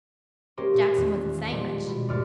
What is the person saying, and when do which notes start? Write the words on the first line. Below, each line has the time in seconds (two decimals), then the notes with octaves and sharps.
'Jackson wasn't saying much.
0.57 G#3 A#3 C#4 G4 A#4 C5
0.74 A#2 B6
0.95 D#1 E2 F#6
1.51 A#2 F3 G3 G#3
1.87 B2
2.08 G1 D#2 G#2 A3 D5 F6